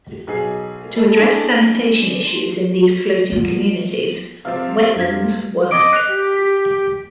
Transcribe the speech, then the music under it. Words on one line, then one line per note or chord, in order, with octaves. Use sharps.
To address sanitation issues in these floating communities, Wetlands Work!
B1 G#4 C7
G3 A3 E5
D#3 D4 E4 G#4
B3 F4
C3 F3 C4 E5 F5
F2 D4 G#6
D#5 D6 D#6 D7
F#6 F7
G4
B6